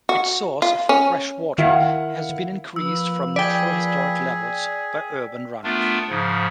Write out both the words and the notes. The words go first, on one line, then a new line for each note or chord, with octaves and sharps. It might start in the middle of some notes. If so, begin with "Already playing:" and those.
Its source of freshwater has been increased from natural historical levels by urban runoff.
F#4
F4
C#4
D#3 E4 F5 F#5
F3 A#3 B4 E6
G#4 D5 G5 B6
A3 B3 D4 F4 A#4
G#2 C#3 F3